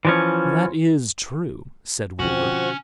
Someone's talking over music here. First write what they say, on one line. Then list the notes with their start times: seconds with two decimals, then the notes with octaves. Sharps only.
"That is true," said Ward.
0.05 E3 F3 C#4
2.19 B2 D3 F3 C4 C#4 F#4